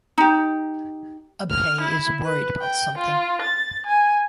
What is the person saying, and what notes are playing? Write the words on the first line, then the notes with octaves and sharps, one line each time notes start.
Abhay is worried about something.
D#4 G4
F6
E4
B4
G5
F4
A6
G#5